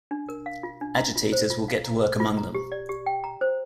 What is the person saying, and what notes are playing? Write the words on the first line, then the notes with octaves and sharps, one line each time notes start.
Agitators will get to work among them.
D4
A#4
F5
F4
D4
A#5
F4
C5
F4
F5
A#5
C5
F4
A#5
G4
D5
G4
G5
A#5
C5